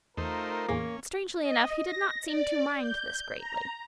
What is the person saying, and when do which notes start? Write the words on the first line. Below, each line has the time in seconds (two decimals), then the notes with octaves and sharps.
But strangely enough, he did not seem to mind this greatly.
0.17 E2 A3 D#4 F4 A#4 C5
0.69 E2 A2 A#3 C#4 G#4
1.43 D#5
1.84 A#6
2.25 D5
2.77 G6
3.37 A#5